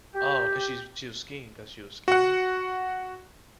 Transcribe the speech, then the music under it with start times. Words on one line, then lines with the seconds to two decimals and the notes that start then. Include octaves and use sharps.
Oh, 'cause she's she was skiing 'cause she was skiing?
0.15 G4
2.08 F#4 F#5